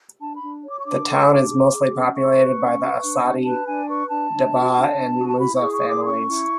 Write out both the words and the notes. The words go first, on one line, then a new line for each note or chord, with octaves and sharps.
The town is mostly populated by the Asadi, Dabbah and Musa families.
D4 A5
B5
D4
C#5
D6
C#6
D4 D6
A4
D4
G#4
G#4
C#4
G#4 C#6
B4
C#4
B4
D4
D4
B4 A5
D4 G#5
B4 C#6
D4 A5
D4
F#4
D4
D4
F#4
A5
E4 B5
C#6
G#4
C#6
E4
D6
C#4 C#6
E4